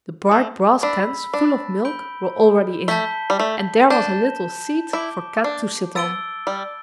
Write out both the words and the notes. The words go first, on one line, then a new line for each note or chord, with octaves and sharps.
The bright brass cans full of milk were already in; and there was a little seat for Kat to sit on.
A3
D4 B5 E6 B6
D4
B5 G6 D7 G7
A3 A5 G6 B6 G7
G3
A3
D4 A5 G6 E7 G7
E4 D6 G6 D7 G7
D4
B3 E6 A6 D7 G7
G3